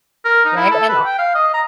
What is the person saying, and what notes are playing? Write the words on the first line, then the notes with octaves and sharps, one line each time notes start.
Right, and hon
A#4
D#4
E4
A4
B4
G5
F5
D#5
A#5